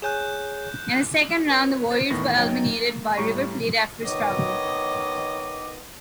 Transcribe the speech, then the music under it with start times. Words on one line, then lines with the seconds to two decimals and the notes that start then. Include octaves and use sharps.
In the second round, the Warriors were eliminated by River Plate after a struggle.
0.02 G#4 C#5 G#5 F#6 G6 E7
1.50 B4 C#5
1.91 C5 A6
2.10 E2 A2 D#3 B3 C#6 A#6
2.36 F#2 F#3 D#4 C#5 G5 A6
2.70 A#3
3.17 A2 G3 C#5 A#5 C#6
4.04 D#3 B3 C#5 D#5 D6